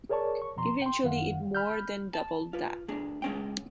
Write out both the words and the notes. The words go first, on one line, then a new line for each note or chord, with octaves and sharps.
Eventually it more than doubled that.
G#4 A#4 C#5 D5 A5 C#6
C#6
F2 B2 F3 A#5 C6
G5 C6
F#2 D#3 F5 F#5
B5 F6 G6
A5
F4 B4
A3 D4 G#4
G#3 C#4 G5